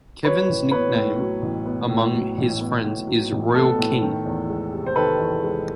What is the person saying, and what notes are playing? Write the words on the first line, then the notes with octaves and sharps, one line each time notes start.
Kevin's nickname among his friends is "King Royal".
F#3 B4 C#5
A1
B3 B4 C#5
A2
F#3
A1
B3
A2
F#3
A1
B3
A2
F#3
A1
B3 A4
A2
D#3
E2
G#3
C3
C5
D#3 A4 B4
E2
G#3